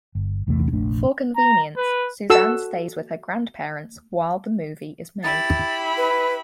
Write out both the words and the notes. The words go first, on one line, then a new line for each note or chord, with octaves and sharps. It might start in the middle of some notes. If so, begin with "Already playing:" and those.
For convenience, Suzanne stays with her grandparents while the movie is made.
G1
A#1 E2 C3 A3
F1 A#1 A3 D4
A#5
B4
F#4 A4 E6
E4 G4 B5 A6
B4